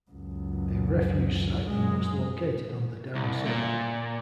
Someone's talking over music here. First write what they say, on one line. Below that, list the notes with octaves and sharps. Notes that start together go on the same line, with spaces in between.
A refuge siding was located on the down side.
C#2 F#2
F#2 G#3
C2
A#2